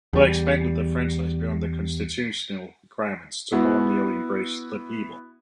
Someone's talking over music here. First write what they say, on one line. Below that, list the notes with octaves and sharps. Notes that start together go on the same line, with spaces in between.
They expanded the franchise beyond the Constitutional requirement to more nearly embrace "the people".
E2 G3
B3 E4 F#4